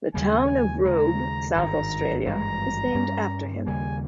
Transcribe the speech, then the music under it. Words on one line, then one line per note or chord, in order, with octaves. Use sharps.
The town of Robe, South Australia is named after him.
D#2 C#3 G3 A#3 G#5
D#2 C#3 G#3 A#5
G#1 G2 D#3 A#5
G#1 G2 E3 G#3 A#5
G2 G3 C#4
D#2 C#3 G3 A#3 G#5